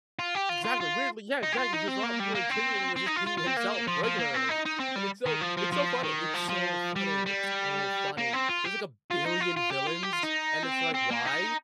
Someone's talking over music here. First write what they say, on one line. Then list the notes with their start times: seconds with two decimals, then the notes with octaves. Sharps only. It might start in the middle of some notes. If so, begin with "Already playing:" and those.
Exactly, weirdly Yeah, exactly, he was a lot more intimidating with just being himself regularly, and it's so it's so funny. It's so funny. It's so funny, there was, like, a billion villains, and it's like, "Why?"
0.19 F4
0.35 G4
0.50 F4
0.65 F4
0.81 F4
1.43 D#4
1.52 G4
1.58 F4
1.73 D#4
1.88 C4
2.03 A#3
2.19 G3
2.34 A#3
2.50 C4
2.96 C4
3.06 D#4
3.16 F4
3.26 F4
3.37 F4
3.46 C4
3.57 A#3
3.88 F3
4.04 F3
4.19 A#3
4.34 C4
4.49 D#4
4.65 D#4
4.80 C4
4.96 G3
5.26 D#3
5.41 F3
5.57 F3
5.72 F3
6.04 D#3
6.34 F3
6.49 F3
6.96 G3
7.26 G3
8.18 A#3
8.33 C4
8.49 F4
8.65 G4
9.11 F4
9.26 D#4
9.40 F4
9.57 F4
9.71 G4
9.87 F4
10.03 G4
10.13 F4
10.23 D#4
10.63 C4
10.95 C4
11.11 A#3
11.26 D#4